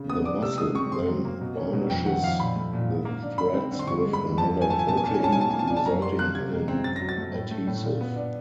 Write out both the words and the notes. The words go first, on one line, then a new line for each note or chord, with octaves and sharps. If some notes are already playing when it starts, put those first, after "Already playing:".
The mussel then varnishes the threads with another protein, resulting in an adhesive.
Already playing: C#3
B3 D#6
D4 D6
C3 E6
G#3 D#6
C4 C#6
F#2 C6
F#3
A#3
B2
C#4
B2
F2 G5
D#3 F#5
F2 F5
A#2 B5
A3
A#2
G#2
A#3
D4
D3 B5
C4
D3
C6
G2 C#6
G#3
B5
G2
F2 A5
F3
G#5
A3 A5
G#5
B2 A5
G#5
A#3 A5
G#5
C#4 A5
G#5
B2 A5
A#3 G#5
A5
D4 G#5
A5
F#2 A#5
G3 C6
A#3 F#6
C3 G#6
G#3
C4
F#2 A6
A#6
F#3
A6
A3
A2
A3
A2
A#2
B3
D4